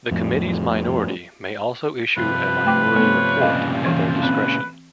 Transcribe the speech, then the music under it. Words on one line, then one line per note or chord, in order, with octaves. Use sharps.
The committee's minority may also issue a Minority Report at their discretion.
F2 A2
G2 C3 F3 B4
A3 G5 D6
A3 B3 A4 C#5
A#2 C#3 D#5 F5
E3
C4 B4